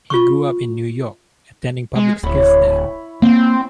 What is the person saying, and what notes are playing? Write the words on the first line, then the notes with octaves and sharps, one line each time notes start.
He grew up in New York attending public schools there.
F4 C#6
G#3
D1 E4 C#5 B5
A#3 C4